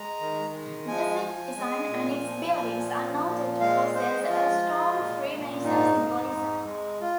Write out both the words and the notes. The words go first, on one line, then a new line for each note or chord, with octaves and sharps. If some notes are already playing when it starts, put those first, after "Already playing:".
The city design and its buildings are noted to possess a strong Freemason symbolism.
Already playing: G#3 A#5
D#3
G#3
F3 G#5
F3
G#3
A#2
F3
A#2
F3
A#2
G#3 F5
G#3 C5
F3 F4
G#3
A#2
A#2
G#2 D#4
G#2
G#2
G#3
F4